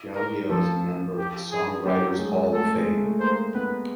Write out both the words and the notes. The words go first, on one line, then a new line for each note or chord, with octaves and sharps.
Gaudio is a member of the Songwriters Hall of Fame.
A#4
F3 A4
G4
G#4
F#3 G4
G#3
A3 A4
G#3
A3
A#3 C5
B3 B4